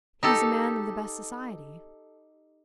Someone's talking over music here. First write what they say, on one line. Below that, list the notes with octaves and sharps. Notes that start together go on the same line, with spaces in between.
He's a man of the best society.
D#4 G4 A4